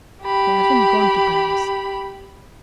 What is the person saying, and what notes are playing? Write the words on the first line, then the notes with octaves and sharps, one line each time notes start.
They haven't gone to Paris.
G4 B5